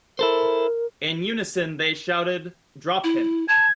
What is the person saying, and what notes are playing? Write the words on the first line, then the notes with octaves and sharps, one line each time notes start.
In unison they shouted: 'Drop him'.
E4 A4 A#4 C5
E4
A5 G#6